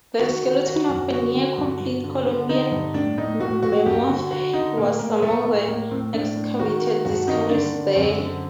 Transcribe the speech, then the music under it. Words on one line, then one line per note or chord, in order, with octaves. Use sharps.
The skeleton of a near-complete Columbian mammoth was among the excavated discoveries there.
D#3 F#4
D#3
D#3 F#4
F#2
D3 F#4
D3
G2
G2
D3
D3
D3 D#4
G2
A2 D4
A2 D#4
A2 F#4
A2 F#4
G2 G4
D3 F#4
D3 F#4
D3 D#4
A2 A#3
A2 A#3
A2 A3
A2 A3
A2 A#3
A2 C4
A2 D4
A2
D#3 F#4
D#3
G2 F#4
D#3 D#4
D3 D4
D3
F#2 C4
D3